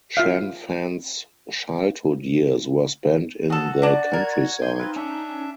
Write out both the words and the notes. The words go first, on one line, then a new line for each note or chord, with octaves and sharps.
Shen Fan’s childhood years were spent in the countryside.
F4 E5 F5
F#4 G#4 A4
F#3 D4 D5
A#4 G#6
D#4 G5 G#5 C6
C4 F4 B4
C#4 D4 E5